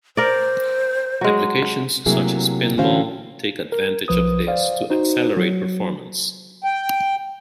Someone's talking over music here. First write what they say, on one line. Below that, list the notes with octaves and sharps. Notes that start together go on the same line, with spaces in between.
Applications such as Pinball take advantage of this to accelerate performance.
A#4 C5 D5
F#3 G#3
C3 F#3 A3 A#3 E4 G#4
D3 E3 C#4 F#4 C5 F5
A#4
B1 F3 B4 D#6
C5 D5 F5
D#4 F#4 C5
F#3
G5